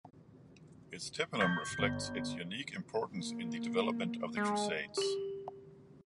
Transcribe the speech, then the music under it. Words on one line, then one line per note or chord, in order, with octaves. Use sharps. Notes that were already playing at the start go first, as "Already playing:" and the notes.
Its tympanum reflects its unique importance in the development of the Crusades.
C#6 G6 A6 A#6
G1
A#3
G#3
G4 F#7